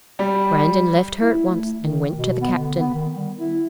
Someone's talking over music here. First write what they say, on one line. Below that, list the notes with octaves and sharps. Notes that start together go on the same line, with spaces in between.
Brandon left her at once and went to the captain.
G3
E4
A3
D#3
B2
B3
D3
B3
D#3
G3
E4